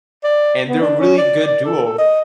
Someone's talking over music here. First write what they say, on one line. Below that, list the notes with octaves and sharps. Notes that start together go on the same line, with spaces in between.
and they're a really good duo,
D5
B3
D4
C#4
D5
D5
A4
A4
D#5